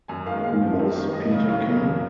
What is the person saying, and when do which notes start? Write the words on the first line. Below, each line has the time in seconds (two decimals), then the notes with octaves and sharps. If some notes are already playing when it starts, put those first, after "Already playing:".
'Who was Peterkin?
0.08 F#2 G#5
0.26 D#3 F5
0.31 G#3
0.44 A#2 F5
0.62 F3 A#3
0.79 F#2
0.96 D#3 A#3
1.13 F#2 D#5
1.31 C#3 F#3
1.49 D#2 F5
1.66 C#3 F#3 A#3
1.84 F#2